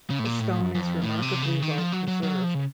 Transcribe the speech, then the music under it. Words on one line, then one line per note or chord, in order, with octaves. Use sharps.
The stone is remarkably well preserved.
C#3
A2
A#2
A2
F#2
F#2
F2
A2
C3
C#3
D#3
F3
F#3
F#3
F#3
F3
C#3